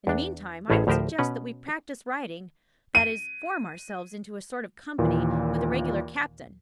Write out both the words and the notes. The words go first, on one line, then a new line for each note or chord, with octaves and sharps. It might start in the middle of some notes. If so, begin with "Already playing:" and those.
In the meantime, I would suggest that we practice riding--that is, form ourselves into a sort of company with a regular captain.
E2 D4
A1 A2 C#4 G#4 C5 C#5
D2 A2 F3 G4 A#4 C5
B2 C#4 B4
D#7
D#2 A#2 E3